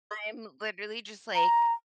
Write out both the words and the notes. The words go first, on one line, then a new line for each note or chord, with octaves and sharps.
I'm literally just like
A#5